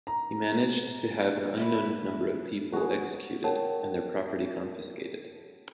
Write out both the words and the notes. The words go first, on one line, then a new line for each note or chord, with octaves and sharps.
He managed to have an unknown number of people executed and their property confiscated.
A#5
E4 F4 B4
F#4 G#4
A#4 C#5 F#5 G5 A5